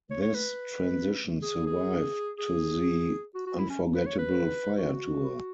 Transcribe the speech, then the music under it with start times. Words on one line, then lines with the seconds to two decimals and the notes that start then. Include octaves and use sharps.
This transition survived to the Unforgettable Fire Tour.
0.11 C#5
0.22 C#5
0.35 B4
1.42 G#4
1.66 G#4
2.38 G#4
3.35 F#4
3.47 F#4
3.58 E4
3.70 C#4
3.95 B4
4.07 C#5
4.19 B4
4.78 F#4